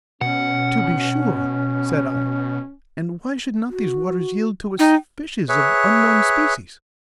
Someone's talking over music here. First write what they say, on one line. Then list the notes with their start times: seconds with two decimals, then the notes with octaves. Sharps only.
"To be sure," said I; "and why should not these waters yield to us fishes of unknown species?"
0.21 B2 C#4 F#5
3.70 F#4
4.79 D#4 G5
5.49 G#4 B4 C#5 E5